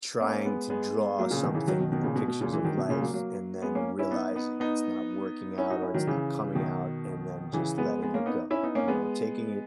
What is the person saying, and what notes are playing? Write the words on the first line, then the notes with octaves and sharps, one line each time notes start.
Trying to draw something in the pictures of life and then realizing it's not working out or it's not coming out and then just letting it go, you know, taking a
A#3 C#4
G#3 B3
G#3 B3
F#3 A#3
A#2 C#3
B2 D#3
C#3 E3
D#3 F#3
B2 D#3
B2 D#3
A#2 C#3
B2
B2
A#2 C#3
E3 G#3
D#3 F#3
B2
A#2 C#3
F#3 A#3
F#3 A#3
G#3 B3
A#3 C#4
C#4 E4
B3 D#4
B3 D#4
B3 D#4
C#4 E4
D#4 F#4
C#4 E4
D#3 F#3
C#3 E3
B2 D#3
C#3 E3
G#3 B3
G#3 B3
A#3 C#4
B3 D#4
C#4 E4
B3 D#4
A#3 C#4
G#3 B3